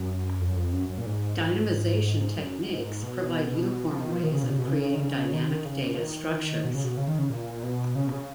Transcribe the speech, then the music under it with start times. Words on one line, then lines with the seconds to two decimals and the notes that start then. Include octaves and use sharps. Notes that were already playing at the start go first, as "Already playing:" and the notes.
Dynamization techniques provide uniform ways of creating dynamic data structures.
Already playing: F#2
0.40 F2
0.47 F#2
0.55 F2
0.73 F#2
0.89 F#2
0.98 A#2
1.06 G#2
1.39 G#2
2.37 F#2
2.70 G#2
3.03 B2
3.91 F3
4.01 D#3
4.12 F3
4.23 D#3
4.34 C#3
4.43 B2
4.51 C#3
4.59 B2
4.67 C#3
4.94 D#3
5.00 C#3
5.33 D#3
5.65 C#3
5.94 F3
5.98 D#3
6.31 D#3
6.65 B2
6.74 C#3
6.84 B2
6.97 C#3
7.08 D#3
7.19 C#3
7.30 A#2
7.63 B2
7.95 C#3
8.08 B2
8.13 C#3